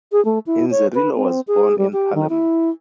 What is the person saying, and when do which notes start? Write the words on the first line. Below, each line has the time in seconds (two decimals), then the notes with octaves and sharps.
Inzerillo was born in Palermo.
0.12 G#4
0.25 A3
0.46 E4
0.71 C#5
0.95 B4
1.16 C4
1.47 G#4
1.78 G3
1.93 G4
2.15 D#3
2.29 E4